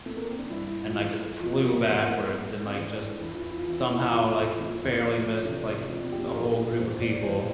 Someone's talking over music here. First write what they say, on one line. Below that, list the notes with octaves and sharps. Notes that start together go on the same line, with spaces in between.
and, like, just flew backwards and, like, just somehow, like, barely missed, like, th the whole group of people,
A3
A#3
C4
D4
G2 E4
F4
E3 E4
F2 F4
A#3
E3 A#3
A#3
A2
C4
E3 D4
E2 E4
F4
E4
F4
E3
E4
F4
E4
E2 F4
E4
F4
E4
E3 F4
E4
F2 F4
C3 E3 D4
F2 D4
G4
A4
E3 A#4
E2 C5
D5
E3 C5